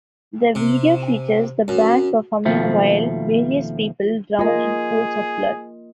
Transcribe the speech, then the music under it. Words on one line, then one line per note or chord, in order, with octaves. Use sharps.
The video features the band performing while various people drown in pools of blood.
C3
F#2
D#2 B2 F3 A3 C4
A#3 F4 G#4 A#4 D#5